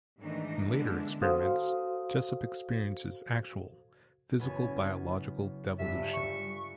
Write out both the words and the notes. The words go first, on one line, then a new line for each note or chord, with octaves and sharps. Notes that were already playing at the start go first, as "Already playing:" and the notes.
In later experiments, Jessup experiences actual, physical biological devolution.
G#2 D#3 E3 A3 D4 D#4
D3 G#3 A#3 B3 D4 E4
F#4 A4 C5 F5 D#6
F#1 B3 G#5
G1 G2 G3 E5
C#6